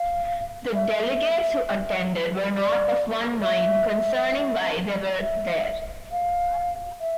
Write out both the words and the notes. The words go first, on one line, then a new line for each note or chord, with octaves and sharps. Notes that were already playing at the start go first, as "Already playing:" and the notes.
The delegates who attended were not of one mind concerning why they were there.
Already playing: F5
E5
D5
E5
E5
F5
E5